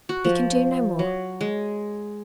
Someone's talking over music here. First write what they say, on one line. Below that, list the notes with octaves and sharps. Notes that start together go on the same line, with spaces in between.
"We can do no more."
F#4
F3
F#3
G#3